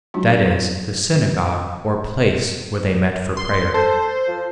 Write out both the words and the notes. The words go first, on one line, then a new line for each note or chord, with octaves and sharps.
That is, the synagogue or place where they met for prayer.
F#3 G#3 D4 D#4 F4 F#4
C6
A4 C5
F3